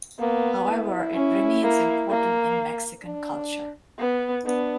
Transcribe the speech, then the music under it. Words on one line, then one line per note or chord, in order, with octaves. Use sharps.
However, it remains important in Mexican culture.
A#3 B3
E4
C#4
A#3
A#3
D4
B3
B3 D4